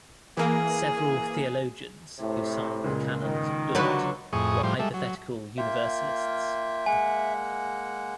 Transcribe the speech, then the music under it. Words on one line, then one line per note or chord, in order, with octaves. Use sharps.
Several theologians who signed the Canons of Dort were hypothetical universalists.
E3 A#3 G#4
A2 C3
C#2 A#2 G#3
D#3
D3 F#3 B4
F2 A2 G#4 C#6 D#6
A2 F3 G3 C5
G3 G#3 A4 E5
F#3
A#3 F4 E5 G5
G#3 A#3 F#5 G#5